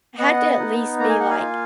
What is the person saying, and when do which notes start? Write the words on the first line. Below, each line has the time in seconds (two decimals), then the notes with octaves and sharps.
had to at least be, like,
0.19 B3 D#5 F#5
0.59 D#4
1.00 A#3 A#5
1.09 G#5
1.20 F#5
1.30 F5 G#5
1.40 F4